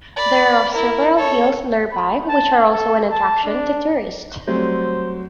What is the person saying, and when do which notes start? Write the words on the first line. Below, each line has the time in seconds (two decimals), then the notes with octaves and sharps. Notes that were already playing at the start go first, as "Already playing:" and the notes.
There are several hills nearby which are also an attraction to tourists.
0.16 D5 B5
0.72 E4 A#4
1.16 A4 C#5
1.92 B5
2.28 A5
2.72 A4
3.10 A5
3.44 D4
4.47 F#3 G3 A3 C4 C5